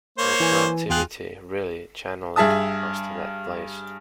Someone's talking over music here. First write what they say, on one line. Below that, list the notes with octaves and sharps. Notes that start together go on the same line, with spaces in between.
Our creativity really channeled us to that place.
A#3 C5 C#5
E3 G#5
E2 F4 G#4 G5 F#6
G2 G#4 E5 A5 D#6